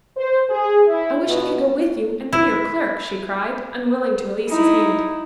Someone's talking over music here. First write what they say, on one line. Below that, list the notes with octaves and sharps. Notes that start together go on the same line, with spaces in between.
"I wish I could go with you and be your clerk," she cried, unwilling to release his hand.
C5
G#4
E4
B2
E4
D#4 E4